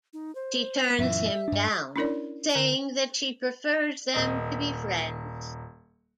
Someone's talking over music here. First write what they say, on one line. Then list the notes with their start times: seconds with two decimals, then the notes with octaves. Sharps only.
She turns him down, saying that she prefers them to be friends.
0.13 D#4
0.35 C5
0.98 F#2 A#2 E3 E5
1.48 G2 D4
1.96 C#4 D4 E4 A#4 C#5 D5
2.55 D3
4.14 D#1 D#5